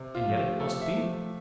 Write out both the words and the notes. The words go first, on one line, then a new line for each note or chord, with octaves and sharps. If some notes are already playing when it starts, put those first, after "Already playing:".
And yet it must be.
Already playing: C3
F4
F3 A3
G4
C3 A4
E5
F3 A3